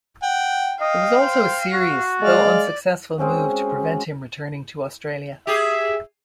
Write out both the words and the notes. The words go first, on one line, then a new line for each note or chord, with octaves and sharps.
There was also a serious, though unsuccessful, move to prevent him returning to Australia.
F#5 G5
D#5 F5 G5
C5
F#4
G#3 D5 F5
G#3 C4 C#4 F#4
G4 G#4 E5